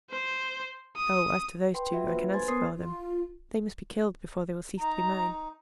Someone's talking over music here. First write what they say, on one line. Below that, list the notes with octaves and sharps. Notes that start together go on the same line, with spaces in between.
"Oh, as to those two, I can answer for them; they must be killed before they will cease to be mine."
C5
D#6
B4 G5 C6
F4 F#4 E5
A#3 D4 B4 C5
B4 C5 G#5 C6 G#6 A6
B3 A#4 C5 C6 D#6 C7
F4
D#4 A#5